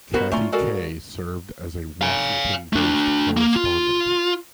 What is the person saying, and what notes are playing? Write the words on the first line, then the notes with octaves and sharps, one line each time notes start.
Katty Kay served as a Washington-based correspondent.
G3 B3 F#4 A#4 C5
A3 C#4 F4 D5 A#5 C6
G#3 F#4 A4 A#4 D5 F5
F5 G#5
A3 D4
A#3
F4